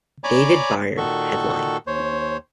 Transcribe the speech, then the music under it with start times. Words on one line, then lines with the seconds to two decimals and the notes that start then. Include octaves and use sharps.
David Byrne headlined.
0.24 C#5 D5 G#5 A#5 B5 D6
0.97 A#2 D#3 F#4 A4 C#6
1.87 D#2 C5 C#5